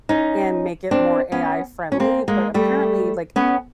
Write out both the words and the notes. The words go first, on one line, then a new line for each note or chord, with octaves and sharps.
and make it more AI friendly, but apparently, like,
C#4 D#4
C4 D4
B3 C#4
C#4
A#3 C4
G#3 A#3
G3 A3
B3 C#4